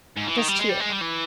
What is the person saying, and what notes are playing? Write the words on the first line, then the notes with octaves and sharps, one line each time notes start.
Just here.
G#2
E3
D#3
G3
G#3
G3
G#3
G3
E3